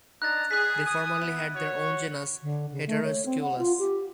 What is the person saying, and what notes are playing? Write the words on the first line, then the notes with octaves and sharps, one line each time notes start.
They formerly had their own genus, "Heteroscelus".
D4 D#4 A#5 F#6 A6
G#4 F#6 B6
G#5 D#6
B3 E4
F#4 C#5
D3
C#3
A3
C#5
C4
F#5
F4
G4